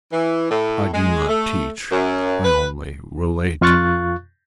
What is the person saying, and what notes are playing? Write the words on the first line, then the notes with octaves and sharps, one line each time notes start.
I do not teach; I only relate.
E3
A2
G#3
A3
F#2
B4
F2 F4 F5 C#6 F#6 A6